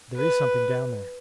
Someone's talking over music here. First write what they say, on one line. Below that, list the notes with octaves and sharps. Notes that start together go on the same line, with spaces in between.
"There is something down there."
B4